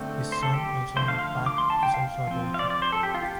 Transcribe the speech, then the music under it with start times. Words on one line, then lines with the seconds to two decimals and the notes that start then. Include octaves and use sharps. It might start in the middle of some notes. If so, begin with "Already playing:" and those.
His son, also named Pat, is also a goalkeeper.
Already playing: D3 A3 C4
0.32 C5
0.43 A4
0.53 G4
0.96 D3 F3 A3 C5
1.08 F5
1.19 F5
1.46 D6
1.58 C6
1.70 A5
1.83 G5
1.94 F5
2.27 F3 C4
2.54 F5
2.59 D5
2.70 D5
2.82 C5
2.93 A4
3.03 G4
3.15 F4
3.25 G4